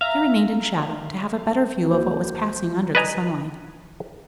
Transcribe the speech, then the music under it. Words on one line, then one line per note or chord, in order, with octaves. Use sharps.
He remained in shadow, to have a better view of what was passing under the sunlight.
E5 F5 A#5
C#2 A#3 F#4 C5 G6
B4 D5 D#5 G#5 A#5